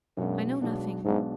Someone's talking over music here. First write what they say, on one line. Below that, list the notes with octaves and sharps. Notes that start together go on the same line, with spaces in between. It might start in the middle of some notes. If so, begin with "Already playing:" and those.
I know nothing.
B1 F#2 B2 G#3 B3 D4
B1 B2 G#3 B3 D4
B1 G#2 B2 G#3 B3 D4